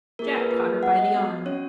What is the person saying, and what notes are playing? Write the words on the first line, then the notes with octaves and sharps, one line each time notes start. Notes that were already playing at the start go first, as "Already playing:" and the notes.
Jack caught her by the arm.
A#3 F4 G#4 A#4
B4
A#3 F4 G#4 B4
B3 F#4 F#5
D#5
B3 F#4
C#4 F#4 C#5